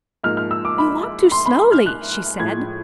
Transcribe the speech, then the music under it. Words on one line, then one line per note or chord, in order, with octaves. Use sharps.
"You walk too slowly," she said.
G#2 F3 A#3 F6
F6
E6
D6
B5
C6
B5
F6
F#6
A2 F3 G#3 G#6